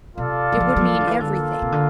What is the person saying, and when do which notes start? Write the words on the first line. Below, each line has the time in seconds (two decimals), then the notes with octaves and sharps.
It would mean everything.
0.16 C3 F4 A4 D5 F5
0.52 G3
0.60 F3
0.68 E3
0.76 G3
0.81 F3
0.94 E3
1.00 D3
1.07 E3
1.20 D3 A#3 F4 A4
1.62 C3
1.72 D3